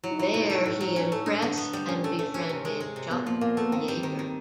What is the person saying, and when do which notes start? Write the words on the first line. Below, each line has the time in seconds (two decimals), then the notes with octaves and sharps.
There he impressed and befriended Chuck Yeager.
0.04 F#3 E4
0.11 D#4
0.19 F#3 E4
0.34 B2
0.50 A3
0.66 A2
0.81 F#3
0.96 C#4
1.12 A3
1.26 D4 D#4
1.42 D3
1.57 B3
1.73 G3
1.88 A#2 C#4
2.04 A3
2.19 A3
2.34 C#4
2.49 C3
2.65 G#3
2.80 G#3
2.96 C3
3.11 A#2 B3
3.26 F3 A#3
3.41 A#2 A#3
3.57 A3 B3
3.72 D#3 C4
3.88 G3
4.03 D#3
4.19 D#3